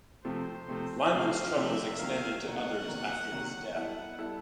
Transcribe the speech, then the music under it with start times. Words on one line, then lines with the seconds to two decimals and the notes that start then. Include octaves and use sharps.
Lymon's troubles extended to others after his death.
0.24 C3 F3 A3 C4 C5
0.68 C3 F3 A3 C4
1.12 C3 F3 A3 C4 F5
1.55 C3 F3 A3 C4 E5
1.99 E2 C3 D#3 F#3 A#3 F5
2.43 E2 C3 D#3 F#3 A#3 F#5
2.87 E2 C3 D#3 F#3 A#3
3.31 E2 C3 D#3 F#3 A#3
3.75 G3 B3 E4 A4 F#5
4.19 G3 B3 E4 A4